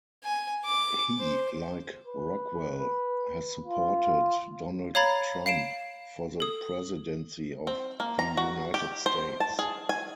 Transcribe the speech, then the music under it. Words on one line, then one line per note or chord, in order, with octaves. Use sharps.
He, like Rockwell, has supported Donald Trump for the presidency of the United States.
G#5
D6
C5
B4
F4
C#5 F5 A#5 B5 G#6 A6
F5 C7 D7 E7
A4 D#6
C4
A#3
A#5
F#4
G4
C5
A5
G#4
G#5